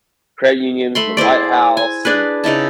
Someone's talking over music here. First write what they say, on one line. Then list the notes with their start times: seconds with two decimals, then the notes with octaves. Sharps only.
credit unions and the White House, and
0.95 A3 B5 C6
1.17 E4 G#4 C5 D5
1.77 G#5
2.05 D4 G#4 B4
2.44 C#3 D#4 E4 A5